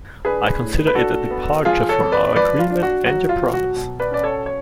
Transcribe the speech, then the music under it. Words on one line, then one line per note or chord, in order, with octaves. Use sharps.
I consider it a departure from our agreement and your promise.
D4 G#4 B4
A2
B4
D4 F#4 A4
B3
F3 F4 G#4
A4 C#5
F2
B4 D5
F3 B4 D5
F4
D4
F#4
F#3 F#4
F4
B2
F#4
B2
B4 D5
C#4 D5
A4 C#5
C#5